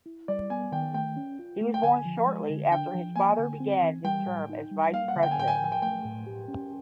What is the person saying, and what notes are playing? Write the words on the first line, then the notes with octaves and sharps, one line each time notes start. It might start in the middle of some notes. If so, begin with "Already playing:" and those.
He was born shortly after his father began his term as vice president.
E4
G3 D5
B3 G#5
D#3 G5
A3 G5
C#4
F4
A3
G5
D3 G#5
F3
G#3
D3
D4 G5
F3
A#3 G#5
D3
C4
E3
G3 G5
A2
D#4
G3
A#3 F5
F#5
D3
G5
G#5
A2 G5
G#5
G5
F3 G#5
G5
A3 G5
A2
G4
C#4